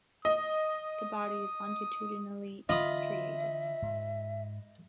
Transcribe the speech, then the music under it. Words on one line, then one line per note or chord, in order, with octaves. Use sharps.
The body is longitudinally striated.
D#5 D#6
D3 E3 F4 D#5 E5 B5 D#6
G#2